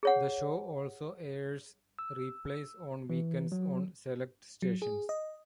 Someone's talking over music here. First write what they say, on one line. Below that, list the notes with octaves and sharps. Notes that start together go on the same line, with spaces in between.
The show also airs replays on weekends on select Stations.
G#4 C#5 F#5
E6
E3
F#3
F#3
G#4
D#5